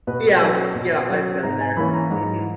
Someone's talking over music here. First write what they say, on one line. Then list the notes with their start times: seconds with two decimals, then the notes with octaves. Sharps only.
Yeah, yeah, I've been there. Mhm.
0.07 B2 B4
0.41 F#3 C#4
0.75 B2
1.09 F#3 C#4
1.43 G#2 A#5
1.60 G#5
1.77 E3 A#3 C#4 B5
1.93 A#5
2.11 G#2 A#5